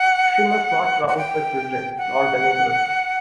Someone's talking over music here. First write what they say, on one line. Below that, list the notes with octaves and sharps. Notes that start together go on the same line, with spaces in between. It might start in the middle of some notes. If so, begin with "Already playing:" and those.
She must not rouse the children, nor the neighbours.
Already playing: F#5
F#5
G5
F#5